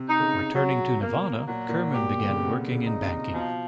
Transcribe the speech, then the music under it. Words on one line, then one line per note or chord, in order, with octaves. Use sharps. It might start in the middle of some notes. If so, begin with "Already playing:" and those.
Returning to Nevada, Kirman began working in banking.
Already playing: C3
D#4
C#3
C3
C3 F#3
B2 A#3
A#2 F#3
A#2
B2 G4
D3
C#3
C3 B3
C#3
D#4
C3
B2 F3